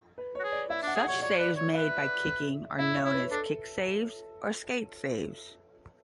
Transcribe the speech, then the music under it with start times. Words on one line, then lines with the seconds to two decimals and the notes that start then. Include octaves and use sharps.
Such saves made by kicking are known as kick saves or skate saves.
0.18 B4
0.35 F#4 C#5
0.44 G#4
0.52 D5
0.70 E4 E5
0.83 D4
0.87 F#5
0.96 G#4
1.05 C#5 F#5
1.22 C#5 D5
1.39 B4 D5
1.57 C#5
1.74 B4 E5
2.79 E4 E5
2.96 C#5
3.05 E4
3.14 B4
3.31 D4 A4